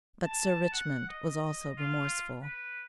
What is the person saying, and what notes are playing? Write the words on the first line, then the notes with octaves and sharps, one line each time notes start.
But Sir Richmond was also remorseful.
A5
F#5
D#5
F4
B4